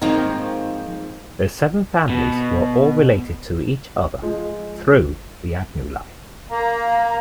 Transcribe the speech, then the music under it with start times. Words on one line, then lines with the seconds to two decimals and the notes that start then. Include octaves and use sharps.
The seven families were all related to each other through the Agnew line.
0.02 G#2 D#3 F3 A#3 C4 D#4
2.09 B2
4.22 F3 G#3
6.50 A#3 A#5